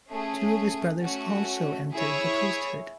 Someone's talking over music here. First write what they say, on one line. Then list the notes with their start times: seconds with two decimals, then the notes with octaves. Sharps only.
Two of his brothers also entered the priesthood.
0.10 A3 C#4 G#4
1.02 A3 C#4 F#4
1.93 E4 G#4 C#5 E5